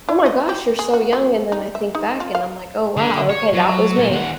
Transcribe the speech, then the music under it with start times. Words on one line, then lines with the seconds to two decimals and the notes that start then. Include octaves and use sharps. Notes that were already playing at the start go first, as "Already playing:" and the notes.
"Oh my gosh, you're so young," and then I think back and I'm like, "Oh wow, okay, that was me."
0.09 E4
0.26 D#5
0.49 G4
0.79 G#4
0.93 F#4
1.13 F#3
1.52 D#4
1.75 E5
1.95 D#4
2.20 F4
2.35 F5
2.97 D3
3.30 C#5
3.54 F#3
3.97 A#2
4.11 D#2 F#5